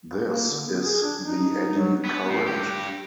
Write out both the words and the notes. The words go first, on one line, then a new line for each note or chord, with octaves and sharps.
This is the eddy current.
A#3
D3
B3
G#4
D4
D#4
F#3
B3
A2
G2 G4